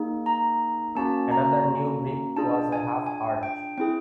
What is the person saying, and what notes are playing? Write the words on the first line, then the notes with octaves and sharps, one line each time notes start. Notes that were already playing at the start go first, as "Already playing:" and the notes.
Another new brick was a half arch.
Already playing: A#3 D#4 G#4
A#5
A#3 C#4 F#4 A5
A#5
D4 F4 G#4 A5
G#5
G#5
G5
C4 E4 G#4 G5